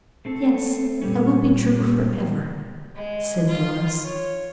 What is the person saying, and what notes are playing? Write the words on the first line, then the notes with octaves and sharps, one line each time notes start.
"Yes; I will be true forever," said Doris.
A3 C4 A4
G2 A#2 G3 B3 C#4
G#3
F4
C#5